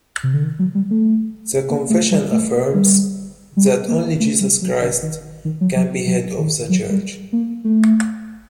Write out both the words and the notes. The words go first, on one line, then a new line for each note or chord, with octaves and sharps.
The confession affirms that only Jesus Christ can be head of the church.
C3
D3
D#3
F#3
G3
A3
A#3
A3
G3
A3
A#3
G3
G3
A#3
A3
G3
F#3
D3
D#3
D#3
F#3
F#3
F#3
D#3
F#3
G3
A#3
A3